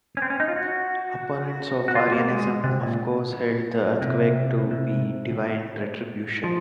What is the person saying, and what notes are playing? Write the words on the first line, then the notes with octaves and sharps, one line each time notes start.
Opponents of Arianism of course held the earthquake to be divine retribution.
C#4
C4
C#4
D#4
F4
F#4
F#4
F4
A#3
G#3
C3
A#2
C3
C3
F3